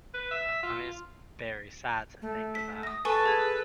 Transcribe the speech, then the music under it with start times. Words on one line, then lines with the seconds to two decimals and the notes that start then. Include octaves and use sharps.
Yeah. I mean, it's very sad to think about.
0.14 B4
0.31 E5
0.63 F4
2.22 A3
2.55 B6
2.83 D#6 A#6
3.05 A4 B4 G#5 C#6
3.26 G#4 G#6